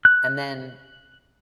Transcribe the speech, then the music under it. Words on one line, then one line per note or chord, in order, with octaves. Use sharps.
And then
F#6